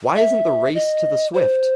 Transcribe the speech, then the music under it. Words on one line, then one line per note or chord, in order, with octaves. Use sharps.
Why isn't the race to the swift?
E5
D#5
C5